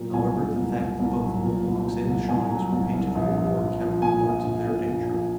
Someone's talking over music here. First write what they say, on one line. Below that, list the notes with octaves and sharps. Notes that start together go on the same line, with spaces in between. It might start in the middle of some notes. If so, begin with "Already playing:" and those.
However, the fact that both the Mohawks and the Shawnees were painted for war kept them alert to their danger.
Already playing: A#2 F#3
C2 G#5
C2
C2
C2
C2
F#3
A#2
C2
F#3
C2
C2 G#5
F#3
C2
C2
A#1
A#1
F3
F3
A#2 G#5
A#1
A#1
A#2
A#2
A#1